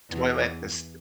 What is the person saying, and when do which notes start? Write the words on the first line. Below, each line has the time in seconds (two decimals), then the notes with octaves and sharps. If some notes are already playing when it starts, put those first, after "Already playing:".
toilet, the s
0.10 E2 E3